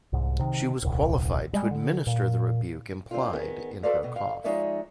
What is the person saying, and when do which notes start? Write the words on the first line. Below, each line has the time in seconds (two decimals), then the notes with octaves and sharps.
She was qualified to administer the rebuke implied in her cough.
0.13 C2 G#2
0.39 C3 D#3
0.83 D#1 C2
1.53 G3 G#3
1.71 D3
2.07 A#2
3.11 C4 D4 F4
3.33 D#3 B3 G#4
3.83 F#4 A4 B4 C5 D5 F5
4.03 B2 B3
4.16 F5
4.44 F3 G#3 D#4 C#5 D5 E5